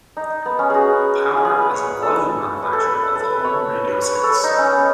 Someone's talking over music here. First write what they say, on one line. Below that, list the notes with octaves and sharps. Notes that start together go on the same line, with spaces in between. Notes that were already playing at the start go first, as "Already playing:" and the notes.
Power as a volume manufacturer of home radio sets.
D#4
B3
C#4
F#4 G#4
G#4
G#4
B4
C#5
A4
B4
A4
B4
A4
B4
C#5
B4
C#5
C#5
A4
B4
D#4
C#4
B3